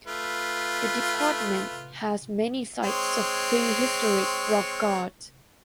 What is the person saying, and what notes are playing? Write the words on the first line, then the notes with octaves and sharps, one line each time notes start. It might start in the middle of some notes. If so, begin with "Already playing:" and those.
The department has many sites of prehistoric rock art.
A3 F4 B4
G#3 C4 C#5